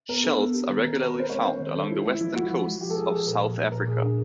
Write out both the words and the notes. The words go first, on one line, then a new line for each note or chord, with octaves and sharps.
Shells are regularly found along the western coasts of South Africa.
B3 A#4
D4 A4
B3
G4
D#3 A#4
D#3 A#4
D#3 A#4
B4
C4
C5
G#3 C#5
C4 C5
D#3
D#3 A4
E4 F4
G#3 E4
F3 E4
F4 F#4
F3
G#3
F4 G4
A4
F4 G#4
F3 A4
A#2 A#4
A#3
A#3
A#2 A#4
A#2 G#4
D4 G#4